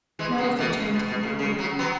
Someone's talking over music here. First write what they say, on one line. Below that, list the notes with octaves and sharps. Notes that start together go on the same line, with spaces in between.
Mellicent turned to him eagerly.
E3 G#3
C#3 F#3
B2 E3
C#3
B2
B2
C#3
C#3
C#3 F#3
F#3 B3